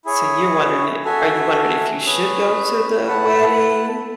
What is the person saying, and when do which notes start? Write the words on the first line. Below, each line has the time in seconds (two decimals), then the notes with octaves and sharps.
so you're wondering i are you wondering if you should go to the wedding
0.05 E4 G#4 C#5
1.05 F#4 A4 E5 G#5
2.05 C#4 G#4 B4
3.06 E4 B4 F#5 A5